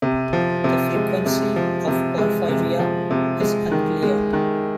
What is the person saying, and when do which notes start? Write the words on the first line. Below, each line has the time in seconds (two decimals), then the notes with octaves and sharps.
The frequency of porphyria is unclear.
0.02 C3
0.33 F3
0.64 C3
0.95 G#3
1.26 C3
1.56 F3
1.87 C3
2.18 G#3
2.49 C3
2.79 F3
3.11 C3
3.40 G#3
3.72 D#3
4.03 G#3
4.33 D#3